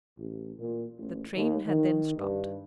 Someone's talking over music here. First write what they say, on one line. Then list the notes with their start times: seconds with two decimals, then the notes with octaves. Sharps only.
The train had then stopped.
0.18 A1
0.58 A#2
0.99 A1
1.35 D#2
1.67 D#3
2.17 G2